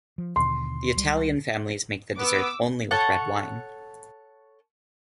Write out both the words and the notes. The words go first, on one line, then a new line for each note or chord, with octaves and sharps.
The Italian families make the dessert only with red wine.
F3
D#2 B2 D3 C6
C#2 G3
B3 D6 E6
A4 C#5 F#5